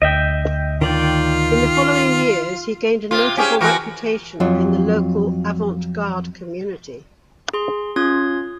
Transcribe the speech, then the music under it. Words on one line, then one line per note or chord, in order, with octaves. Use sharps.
In the following years, he gained a notable reputation in the local avant-garde community.
D2 D#5 E5 G5
D#3 F4 D5 G5
C3 F4
C#4 G4 G#4
E3 F#4 A#4
F2 F#3 F4
G#4 C6
C#4 F4 C6 D#6 G#6